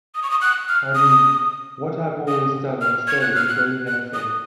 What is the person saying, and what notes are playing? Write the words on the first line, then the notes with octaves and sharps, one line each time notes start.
I mean, what I've always done onstage is very natural.
D#6
C#6
D#6
F#6
F6
D#6
D#6
F6
G#6
F#6
F6
F#6
F#6
D#6